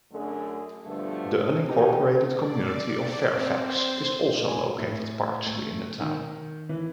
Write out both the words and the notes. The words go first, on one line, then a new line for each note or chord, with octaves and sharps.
The unincorporated community of Fairfax is also located partially in the town.
F#2 D3 A3 D4 G#4
G2 B2 D3 F3 A3
A2 D#4 F#4 G4
D5
C4
C5
G#5
A2
A3
D#3
E3